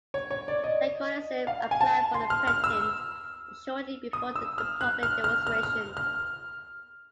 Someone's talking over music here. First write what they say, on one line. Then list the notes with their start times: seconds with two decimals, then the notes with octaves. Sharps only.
Tykonicer applied for a patent shortly before the public demonstration.
0.14 C#5
0.31 C#5
0.48 D5
0.64 D#5
1.47 F5
1.71 G#5
1.81 A5
2.14 C6
2.30 F6
2.47 F6
2.64 E6
4.13 D#6
4.36 E6
4.58 F6
4.81 F#6
5.03 F6
5.24 F6
5.47 F6
5.63 F6
5.97 F6